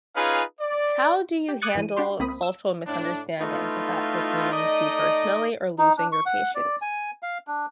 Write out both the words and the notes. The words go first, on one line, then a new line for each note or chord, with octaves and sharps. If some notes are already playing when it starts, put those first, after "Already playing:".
how do you handle cultural misunderstandings without taking them too personally or losing your patience?
C#4 D#4 F4 G#4 B4 F5
D5
G4
D6 D#6 F#6 G#6 A6 C#7
G2 E3 D#7
D4 F#4 G4 C6
C#2 A#3 C4 B5 D#6
E6
A2 D4
E3 A3 B3 D#4 F4
A3 D#4 D5 D#5
D#4
D4
C#6
F#5
D5
G#5
F5
D4